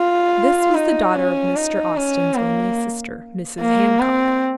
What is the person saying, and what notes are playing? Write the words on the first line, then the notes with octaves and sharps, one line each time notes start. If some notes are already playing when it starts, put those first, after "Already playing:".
This was the daughter of Mr. Austen's only sister, Mrs. Hancock.
Already playing: F4
D#4
C#4
D#4
C#4
A#3
A#3
C4